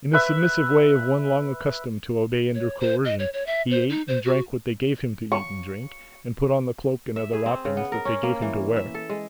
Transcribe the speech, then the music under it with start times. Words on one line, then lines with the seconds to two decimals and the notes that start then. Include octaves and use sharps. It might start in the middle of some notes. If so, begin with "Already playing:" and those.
In the submissive way of one long accustomed to obey under coercion, he ate and drank what they gave him to eat and drink, and put on the cloak and other wrappings, that they gave him to wear.
0.13 B4 E5
2.55 C#5
2.80 C5
3.05 D#5
3.19 C#5
3.33 C#5
3.47 E5
3.71 C5
3.90 D#4
4.08 C5
4.25 F#4
5.32 C#6
7.16 E5
7.33 G#4
7.46 C4
7.65 C#3
7.77 B3
7.92 A#4
8.05 C#4
8.23 A#3
8.42 E3
8.76 E5
8.94 A4
9.10 G#3